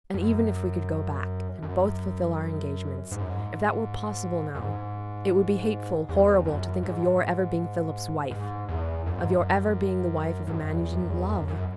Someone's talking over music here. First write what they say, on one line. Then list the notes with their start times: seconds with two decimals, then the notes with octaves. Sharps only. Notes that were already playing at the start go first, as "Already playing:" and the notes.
And even if we could go back, and both fulfil our engagements,--if that were possible now,--it would be hateful, horrible, to think of your ever being Philip's wife,--of your ever being the wife of a man you didn't love.
0.14 F#2
1.63 F#2
3.11 G#2
3.21 F#2
3.29 G#2
4.55 F#2
4.60 G#2
6.09 E2
6.46 F#2
6.83 G#2
8.31 G#2
8.69 E2
9.06 F#2
9.19 G#2
9.31 F#2
10.47 G#2
10.54 F#2
10.74 E2
10.92 F#2
11.10 E2
11.29 F#2
11.48 F#2